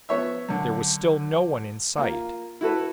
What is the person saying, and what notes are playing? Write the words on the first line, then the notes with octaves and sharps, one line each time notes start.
There was still no one in sight.
F3 B3 C#5 E5
F#2 D3
A#3 F4
E4 F#4 A4 B4